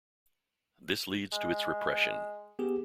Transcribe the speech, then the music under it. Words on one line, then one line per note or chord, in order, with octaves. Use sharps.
This leads to its repression.
G#3
B3 G4 G#4